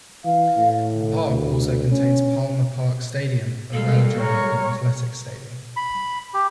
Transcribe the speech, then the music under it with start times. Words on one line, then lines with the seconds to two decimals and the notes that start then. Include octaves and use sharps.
The park also contains Palmer Park Stadium, a velodrome and athletics stadium.
0.25 E3 F5
0.57 A2
0.93 D3
1.30 D2
1.91 C#4
3.73 B2 D3 G3 G#3 A#3 A4 F5
4.20 C#5 A#5 F6
5.76 B5
6.34 G4